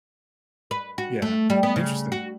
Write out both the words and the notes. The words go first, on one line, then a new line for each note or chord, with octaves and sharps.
Yeah. Interesting.
B4
F#4
A3
G3
B3
C#3
F#4